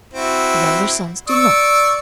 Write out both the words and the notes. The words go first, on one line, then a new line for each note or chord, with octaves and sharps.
The younger sons do not.
C4 E4 F#4
D5 C#6 E6